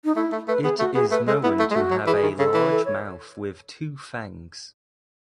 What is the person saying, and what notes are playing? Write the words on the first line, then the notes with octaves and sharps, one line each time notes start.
It is known to have a large mouth with two fangs.
D#4
A3 E4
A3
A3 B4
B3 G#4
A3 F#4
B3 G#4
A3 B4
G#3 A4
B3 E4
A3
G#3
A3 F#4
F#3
E3 G#4
D#3
C#3 A4
E3
A4
C#5